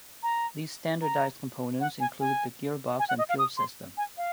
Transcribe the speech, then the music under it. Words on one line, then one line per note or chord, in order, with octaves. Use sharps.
These standardised components include the gearbox and fuel system.
A#5
A#5
F#5
G#5
G#5
G#5
F#5
D#5
F5
D#6
C6
G#5
F5